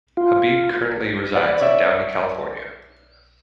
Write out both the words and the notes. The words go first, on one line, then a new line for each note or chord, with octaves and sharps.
Habib currently resides in Downey, California.
F4
B4 D5 F#5
C#5 D5 E5